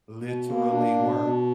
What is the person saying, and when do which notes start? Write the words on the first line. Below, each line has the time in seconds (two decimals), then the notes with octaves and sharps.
literally work
0.22 B2
0.47 A#3
0.71 D4
0.95 B2
1.19 B2